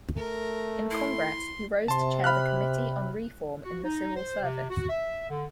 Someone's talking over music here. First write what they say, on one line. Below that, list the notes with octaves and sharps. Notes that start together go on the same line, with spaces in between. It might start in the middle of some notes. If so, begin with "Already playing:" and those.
In Congress, he rose to chair the Committee on Reform in the Civil Service.
A3 A#4
E4 C6
C3 A5 C6
B5 F6 F#6
F#4
D#4
C5
C3
F#4
E5
D3